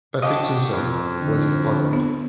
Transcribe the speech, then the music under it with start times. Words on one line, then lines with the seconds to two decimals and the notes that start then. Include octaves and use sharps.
Patrick Simson was his brother.
0.22 D4 F#4 G4 D#5 F5 D#6
0.71 F2
1.21 D3
1.93 B3